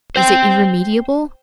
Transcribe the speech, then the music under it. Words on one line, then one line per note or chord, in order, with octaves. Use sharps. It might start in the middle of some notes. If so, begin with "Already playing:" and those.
'Is it irremediable?'
C5 G5